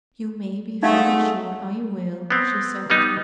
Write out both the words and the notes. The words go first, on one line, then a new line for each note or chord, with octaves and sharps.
"You may be very sure I will," she said.
G#3 A3 D#4 F#4 F5
B3 C4
G3 B3 D#4